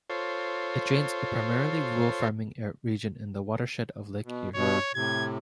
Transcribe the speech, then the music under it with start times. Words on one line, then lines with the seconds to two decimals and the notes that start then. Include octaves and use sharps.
It drains a primarily rural farming region in the watershed of Lake Erie.
0.10 F4 A4 C5 C#5
4.24 B2
4.54 G2 B2 C#5
4.95 A2 C3 G#6